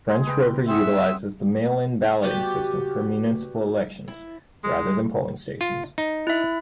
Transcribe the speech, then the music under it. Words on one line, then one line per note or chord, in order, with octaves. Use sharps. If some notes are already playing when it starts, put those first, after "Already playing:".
French River utilizes the mail-in balloting system for municipal elections rather than polling stations.
G#3 G#4
B4 G5
C4 G#4 E5 F#5
B3 F#4 G4 D5
E4
G#3
F4
D#4
E4 E5